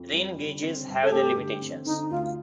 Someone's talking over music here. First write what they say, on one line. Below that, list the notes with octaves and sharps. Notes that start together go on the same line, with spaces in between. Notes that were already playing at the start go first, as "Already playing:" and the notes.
Rain gauges have their limitations.
Already playing: F2
G3
D3
C4
G2
A4
A3 G4
D3
C4
D3 D#4
D2 F4